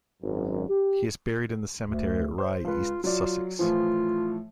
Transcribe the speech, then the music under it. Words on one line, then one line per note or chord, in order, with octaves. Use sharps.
He is buried in the cemetery at Rye, East Sussex.
G#1 F#2
G4
D2
C5
C#2 F4 B4
F#3 F4 D5
A2 E3 F3 F4